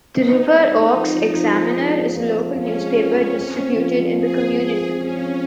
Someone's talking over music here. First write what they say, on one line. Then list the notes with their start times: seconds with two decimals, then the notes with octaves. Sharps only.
The "River Oaks Examiner" is a local newspaper distributed in the community.
0.15 C4 D#4
0.35 C4
0.55 G#3
0.75 C4
0.95 F3
1.14 F3
1.34 F3
1.55 F3
1.74 G#3
1.95 C4
2.15 F3
2.35 F3
2.55 F3 C#4
2.76 G#3
2.96 F3
3.16 C4
3.36 C4
3.56 C4
3.76 F3
3.97 F3
4.16 C4 G#4
4.36 C4
4.56 G#3 G#4
4.77 C4
4.97 F3 C#4
5.17 F3